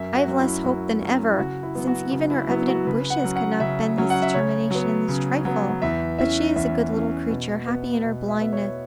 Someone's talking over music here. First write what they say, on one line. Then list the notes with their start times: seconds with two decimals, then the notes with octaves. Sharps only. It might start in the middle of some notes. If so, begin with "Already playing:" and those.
I have less hope than ever, since even her evident wishes could not bend his determination in this trifle; but she is a good little creature, happy in her blindness.
Already playing: F#2 E5
0.15 F#4
0.27 F#3 C#4
0.40 E4
0.64 F#2 F#4
1.01 F#3 C#4
1.29 E4
1.38 C#3 F#4
1.63 E4
1.75 F#3 B3
1.87 F#4
2.12 C#3 F#4
2.30 E4
2.49 F#3 B3 E4
2.68 F#4
2.86 C#3 B4
3.10 F#5
3.23 F#3 C#4
3.36 F#5
3.60 C#3 E5
3.98 F#3 C#4
4.10 F#5
4.22 E5
4.34 C#3 C#5
4.71 F#3 B3
5.09 C#3
5.45 F#3 B3
5.82 E2 E5
6.18 E3 C#4 E5
6.56 E2 E5
6.93 E3 C#4
7.30 B2
7.67 B3
8.04 B2
8.28 E5
8.41 B3 E5
8.53 C#5